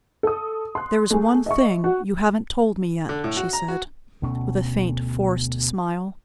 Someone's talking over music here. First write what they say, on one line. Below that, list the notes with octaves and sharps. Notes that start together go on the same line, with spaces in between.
"There is one thing you haven't told me yet," she said, with a faint, forced smile.
A4 D#6
C6 F#6
A3 G#4
D#5 E5 C#6
F#4
D3
A2
F#4
A#5
F#4
D2 B2 A3 C#4